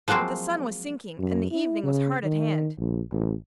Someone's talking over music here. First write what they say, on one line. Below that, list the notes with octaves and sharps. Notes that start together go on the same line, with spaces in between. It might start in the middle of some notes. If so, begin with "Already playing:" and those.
But the sun was sinking, and the evening was hard at hand.
F3 F#3 G#3 A#3 C4
F#2
E4
C#3
D#3
A#1
A1